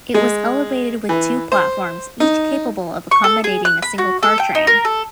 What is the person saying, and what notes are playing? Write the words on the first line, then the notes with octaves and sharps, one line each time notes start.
It was elevated with two platforms, each capable of accommodating a single car train.
G#3
E3
C5
D#4
C#6
A4
G#4
F#6
B5
F#4
A4
G5
D#4
A#4
A4